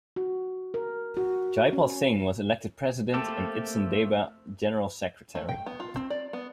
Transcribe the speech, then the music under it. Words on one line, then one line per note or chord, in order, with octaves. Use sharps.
Jaipal Singh was elected president and Idsen Deba general secretary.
F#4
A#4
F#4
C#4
A3 A#3 C4 G4 A4
A3
G5
B3
F4
C4
D5
B3